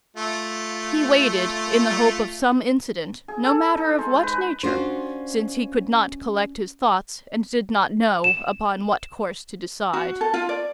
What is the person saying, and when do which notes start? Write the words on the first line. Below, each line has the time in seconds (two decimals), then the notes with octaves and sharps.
He waited, in the hope of some incident, no matter of what nature, since he could not collect his thoughts and did not know upon what course to decide.
0.17 A3 F4
3.28 G#4
3.44 A4
3.77 D#4
3.99 G#3
4.23 B4
4.63 C#4 D4 F4 F#4 C5
8.24 E7
9.93 F#4
10.21 A4
10.34 F4
10.49 D5